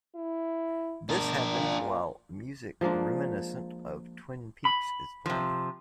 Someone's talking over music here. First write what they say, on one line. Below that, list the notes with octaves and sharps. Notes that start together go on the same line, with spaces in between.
This happens while music reminiscent of "Twin Peaks" is playing.
E4
D4 A#4
A#2
F3 G#3 A#3 D4
B5
C3 F3